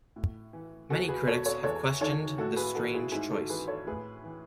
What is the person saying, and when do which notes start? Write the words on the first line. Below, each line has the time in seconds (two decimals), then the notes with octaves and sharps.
Many critics have questioned this strange choice.
0.16 A2
0.53 E3
0.90 E2 F#4 A4
1.08 G#4 B4
1.27 B2 A4 C#5
1.46 A4 C#5
1.64 E2 A4 C#5
2.01 D#3 A4 C#5
2.38 A2 F#4 A4
2.56 G#4 B4
2.75 E3 F#4 A4
2.94 E4 G#4
3.12 G#2 E4 G#4
3.31 F#4 A4
3.49 E3 G#4 B4
3.68 A4 C#5
3.87 A2 G#4 B4
4.24 E3